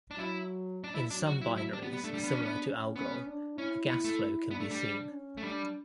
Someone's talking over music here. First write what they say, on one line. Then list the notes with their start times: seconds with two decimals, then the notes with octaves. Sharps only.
In some binaries similar to Algol, a gas flow can be seen.
0.11 D4
0.18 F#3 E4
0.84 D4
0.95 E4
1.10 F#3 D4
1.27 F#4
1.41 F#3 E4
1.57 E4
1.73 G3 D4
1.82 B3
1.93 B3
2.04 A3 D4
2.14 G3
2.24 B3
2.33 C#4
2.42 B3
2.65 C#4
2.96 B3 C#4
3.27 D4
3.58 C#4 E4
3.88 B3
4.04 A3
4.51 B3 D4
4.60 A3
4.70 G3
5.12 C#4
5.37 A3
5.43 G3 D4